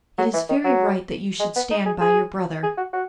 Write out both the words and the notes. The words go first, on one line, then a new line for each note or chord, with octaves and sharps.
"It is very right that you should stand by your brother."
F#3
E3
D#3
F#3
G#3
B3
D#4
G#4
G#4
G#4
F#4
F#4